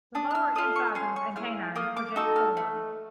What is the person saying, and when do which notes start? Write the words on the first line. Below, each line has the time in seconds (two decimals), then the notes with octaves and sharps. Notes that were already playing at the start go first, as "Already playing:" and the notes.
The lower incisors and canines project forward.
0.15 D4 D#6
0.31 F#6
0.35 F6
0.55 F4 A4 D#6
0.76 C#6
0.95 C#4 C6
1.16 C#6
1.36 E4 G#4 F6
1.76 A#3 D#6
1.97 D6
2.16 D#4 F#4 A4 E6
2.36 F6
2.57 A3